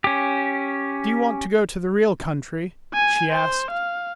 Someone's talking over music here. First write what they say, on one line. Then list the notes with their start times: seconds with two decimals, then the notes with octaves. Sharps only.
"Do you want to go to the real country?" she asked.
0.04 C#4 G4
2.93 G#5
3.31 C5
3.71 F5